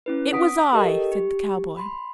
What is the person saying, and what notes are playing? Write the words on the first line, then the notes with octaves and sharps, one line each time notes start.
"It was I," said the cowboy.
C#4 E4 B4
F#5 D#6 B6 D7
G4 A4 A#4 D#5 G5
G4
B5 C6